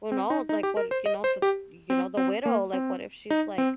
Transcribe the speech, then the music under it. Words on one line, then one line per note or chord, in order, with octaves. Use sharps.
who knows? Like, what you know, the you know, the widow, like, what if she's, like,
C4
D#4
D#4
G4
A#4
C5
D#5
C5
G4
C4
C4
A#3
C4
D#4
C4